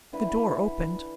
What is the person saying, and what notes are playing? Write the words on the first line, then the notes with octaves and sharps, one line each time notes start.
The door opened.
D3 E3 B4 F#5